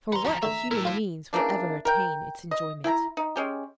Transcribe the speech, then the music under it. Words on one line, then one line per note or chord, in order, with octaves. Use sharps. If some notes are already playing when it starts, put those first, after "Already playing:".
For what human means will ever attain its enjoyment?
B4 F#5 A#5 C6
F3 F#4 A5 C#6
D3 A3 E5
A3 E4 A#4
F4 C5 F5
C#3 E3 A#3 D4
A#4 G5
D#5
E4 E5 G#5 A#5
D#4
G#3 C#4 G4